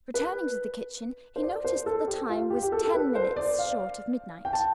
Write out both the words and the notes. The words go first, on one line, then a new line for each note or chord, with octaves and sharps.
Returning to the kitchen, he noticed that the time was ten minutes short of midnight.
B4
C5
D5
C5
A4
G4
F4
G4
G4
A4
A4
B4
C5
D5
F5
G5
A5